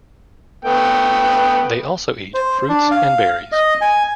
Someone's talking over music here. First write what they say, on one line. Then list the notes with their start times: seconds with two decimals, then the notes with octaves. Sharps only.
They also eat fruits and berries.
0.65 A3 B3 G5
2.34 C5
2.69 D4
2.91 F5
3.52 D#5
3.81 G#5